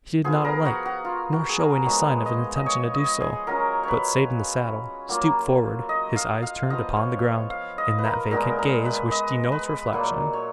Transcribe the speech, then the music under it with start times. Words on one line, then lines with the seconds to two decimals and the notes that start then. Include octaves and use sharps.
He did not alight, nor show any sign of an intention to do so; but sate in the saddle, stooped forward, his eyes turned upon the ground, in that vacant gaze which denotes reflection.
0.24 F3 B3 F4 G#4
0.45 A#4
0.65 F#4
0.85 F#4
1.05 F4
1.32 F#4
1.49 G#4
1.59 A#4
1.85 F3 G#3 B3 C#5
2.26 D#5
2.56 D#5
2.66 C#5
2.94 D#5
3.21 G#4
3.47 F#3 C#4 F4 A#4
3.83 B4 C#5
5.09 F#3 A#3 F4
5.89 D#5
6.16 F5
6.43 F5
6.70 F3 B3 F4 D#5
6.97 C#5
7.50 F5
7.78 D#5
7.99 B4
8.05 A#4
8.31 A#2 G#3 B3 A#4
8.59 A#4
8.85 B4
9.11 D#5
9.52 B4
9.93 A#2 F#3 A#3 F4
10.33 C#5